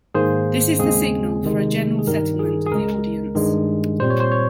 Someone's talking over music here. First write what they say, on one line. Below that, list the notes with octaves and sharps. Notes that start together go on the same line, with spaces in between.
This is the signal for a general settlement of the audience.
G#2 D#3 A#3 G#4 C5
D#2 C#3 G#3 C4 G#4
C2 C3 D#3 G#3
G#4
G2 D#3 G3 A#4
G#4
G#4
C#2 C#3 G#3 A#4
G2 D#3 G#3
A#2 G3 C4 C5
C#5
C5
C#5